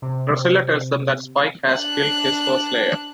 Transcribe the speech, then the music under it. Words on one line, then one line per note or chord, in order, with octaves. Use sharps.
Drusilla tells them that Spike has killed his first Slayer.
C3
D4 F#6